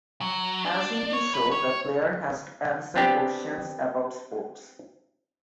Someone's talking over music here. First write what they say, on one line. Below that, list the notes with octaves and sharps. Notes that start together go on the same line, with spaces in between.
As in the show, the player has to answer questions about sports.
F#3
D4
C#5
B4
C#5
B3 C4 D4 G4